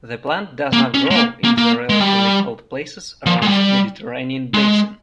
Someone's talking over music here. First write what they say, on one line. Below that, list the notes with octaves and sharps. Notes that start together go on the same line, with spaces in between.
The plant does not grow in the relatively cold places around the Mediterranean basin.
A#3
C#4
G#3
A#3
A#3
A#3
G#3
G3
F3
G#3
G3
G#3